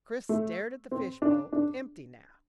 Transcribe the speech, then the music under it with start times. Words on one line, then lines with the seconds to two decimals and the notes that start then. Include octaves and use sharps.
Chris stared at the fishbowl, empty now.
0.29 A3
0.91 C4
1.22 D4
1.53 D4